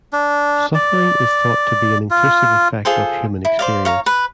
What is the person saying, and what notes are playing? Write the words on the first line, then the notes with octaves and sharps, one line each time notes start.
Suffering is thought to be an inclusive effect of human experience.
D4
D5
F4
F4 G#4 A4 C5
E4
C5 D5 F5
C#5 F5 A#5
B4